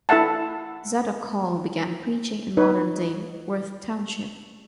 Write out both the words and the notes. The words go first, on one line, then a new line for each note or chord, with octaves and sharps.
Zadock Hall began preaching in modern-day Worth Township.
E4 A4 E5 F#5 A5
D#4 B4 C#5